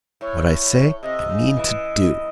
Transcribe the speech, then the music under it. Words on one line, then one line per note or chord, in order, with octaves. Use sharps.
What I say, I mean to do!'
A2 C#5
C3 D#5
C#3
E3